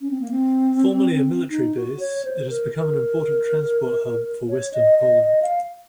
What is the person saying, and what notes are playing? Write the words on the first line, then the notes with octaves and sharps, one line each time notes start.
Formerly a military base, it has become an important transport hub for western Poland.
C#4
C4
A#3
C4
D#4
F#4
C#5
C5
A#4
A#4
C#5
D#5
D#5
D#5
F5